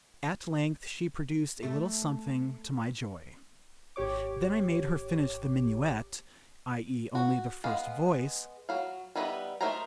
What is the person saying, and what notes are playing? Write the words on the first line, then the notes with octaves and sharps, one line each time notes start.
At length she produced a little something to my joy. Then I made her finish the minuet, i.e. only the first voice.
A3
G#1 G4 C#5 D6
F#4
G#3 B3 F5
F#3 F5
G3 B3 D#4 B4 E5
A3 D#4 A#4 C5 A#5